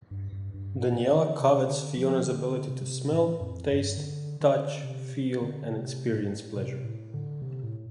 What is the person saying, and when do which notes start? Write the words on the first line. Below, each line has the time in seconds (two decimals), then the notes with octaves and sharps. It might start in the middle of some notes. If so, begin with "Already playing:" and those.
Daniella covets Fiona's ability to smell, taste, touch, feel, and experience pleasure.
0.11 G2
0.32 G2
0.54 G2
0.82 A2
0.93 A2
1.02 C3
1.11 D3
1.40 C3
1.69 D3
1.97 F3
2.25 D3
2.69 C3
3.12 A2
3.40 F2
3.69 G2
3.98 D3
4.41 D3
4.84 C3
5.41 D3
5.70 C3
6.13 A2
6.56 C3
6.84 A2
7.14 D3
7.42 C3
7.63 A2